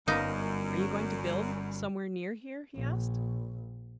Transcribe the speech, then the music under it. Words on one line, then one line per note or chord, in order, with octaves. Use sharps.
"Are you going to build somewhere near here?" he asked.
G1 F#2 G3 A#3 B3 D#4
A#1